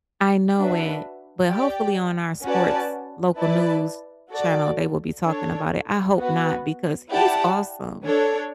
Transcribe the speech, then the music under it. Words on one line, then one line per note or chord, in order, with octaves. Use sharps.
I know it. But hopefully on our sports local news channel, they will be talking about it. I hope not because he's awesome.
D4 F#4 B4 E5
G4 D5 G5
C#4 F#4 B4 D5 A5
E4 B4 D5 A5
F#4 A4 D5
D4 A4 C#5
B3 F#4 B4
E4 G4 D5 F#5 A5
D4 A4 C#5